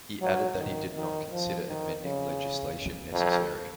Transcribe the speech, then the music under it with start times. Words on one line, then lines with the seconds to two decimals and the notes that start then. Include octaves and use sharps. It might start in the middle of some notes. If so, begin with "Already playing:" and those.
He added that he did not consider amending legislation necessary.
0.22 F#3
0.58 D#3
0.95 D#3
1.31 F3
1.68 D#3
2.03 C#3
3.13 F2